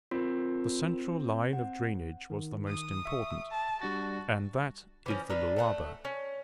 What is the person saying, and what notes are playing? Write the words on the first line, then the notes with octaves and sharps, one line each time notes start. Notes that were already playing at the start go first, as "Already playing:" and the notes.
The central line of drainage was the most important, and that is the Lualaba.
C4 F4 A#4
F#5
D#3
D#6
E5 C#6
A5
G3 D4 F#4 A6
E3 F3 C#4
D4 D#4 F4 B4
A3 D4 F#5
C#4